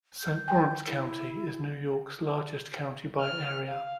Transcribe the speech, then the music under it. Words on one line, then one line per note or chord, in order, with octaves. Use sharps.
Saint Lawrence County is New York's largest county by area.
G6
G5 G#5
E4
F6
F5